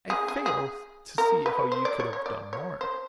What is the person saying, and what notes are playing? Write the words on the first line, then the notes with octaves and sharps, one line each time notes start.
"I fail to see how you could have done more."
G#4
G#4
G#4
A#4
B4
C5
D5
C#5
C#5
D5
C#5
C5